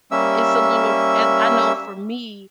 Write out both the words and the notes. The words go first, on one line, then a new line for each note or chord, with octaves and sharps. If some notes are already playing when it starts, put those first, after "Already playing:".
it's a little as I know for me,
G3 A#3 C#4 E5 E6